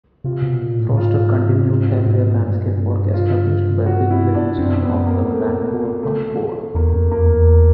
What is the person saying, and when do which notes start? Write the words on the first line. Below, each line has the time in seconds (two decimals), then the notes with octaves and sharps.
Forester continued earlier landscape work established by Bill Livingston of the Vancouver Park Board.
0.24 C3 F4
0.42 B2
0.60 A#2
0.78 A2
0.92 A2
0.97 G#2 F4
1.69 G#2
2.06 G#2
2.41 G2
3.14 F4
3.86 F#4
4.10 E4
4.34 D4
4.58 F#2 C4
4.83 B3
5.06 A#3
5.31 A3
6.03 A3
6.75 E2 A#3
6.94 F#2
6.99 F2
7.11 A#3
7.23 E2